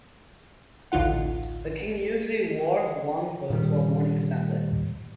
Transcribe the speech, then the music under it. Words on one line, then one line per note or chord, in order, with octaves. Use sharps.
The king usually wore Hwangpo to a morning assembly.
A1 D2 D#4 F4 F#5
A#2 D#3 G3